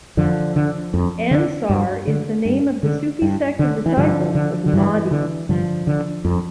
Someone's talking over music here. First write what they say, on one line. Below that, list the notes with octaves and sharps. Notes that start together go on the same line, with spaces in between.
Ansar is the name of the Sufi sect of disciples of the Mahdi.
F2 D3 F3
D3
F2
D3
G2
D3
G2
D3
G2
D3
E3
G2 D3 F3
D3
D3
G2 E3
D3
G2 D3 F3
D3
F2